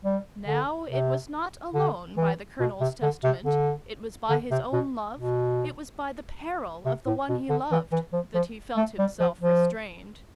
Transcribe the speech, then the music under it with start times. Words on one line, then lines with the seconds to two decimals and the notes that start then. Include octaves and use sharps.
Now, it was not alone by the colonel's testament, it was by his own love, it was by the peril of the one he loved, that he felt himself restrained.
0.04 G3
0.47 D3
0.90 C3
1.75 D3
2.17 E3
2.60 B2
2.80 C3
3.02 D3
3.24 C3
3.45 D3
4.30 D3
4.51 C3
4.73 B2
5.16 B2
6.85 C3
7.06 A2
7.29 B2
7.49 D3
7.71 E3
7.92 E3
8.13 F3
8.35 F3
8.77 A3
8.99 G3
9.20 F3
9.41 F3